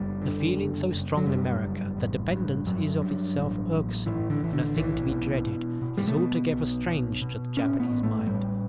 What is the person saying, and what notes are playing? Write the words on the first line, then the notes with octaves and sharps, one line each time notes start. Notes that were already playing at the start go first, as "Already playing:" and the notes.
The feeling, so strong in America, that dependence is of itself irksome and a thing to be dreaded, is altogether strange to the Japanese mind.
Already playing: F#1 G3
D3
F#1
F#1
F#3
F#2 G3
F#1
A1
G2
G2 F#3
G2
A1
A1
A1 E3
D3
A1 E3
D3
B1 E3
B2
B2
B2
G3
A3
B2 B3
B1
B2
B2
A2 C#4
B3
A1
A3
A2 G3